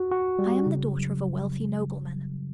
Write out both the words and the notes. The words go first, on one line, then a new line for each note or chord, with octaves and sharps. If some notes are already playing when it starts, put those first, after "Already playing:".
I am the daughter of a wealthy nobleman.
Already playing: F#4
F#4
G3
C#3
F#3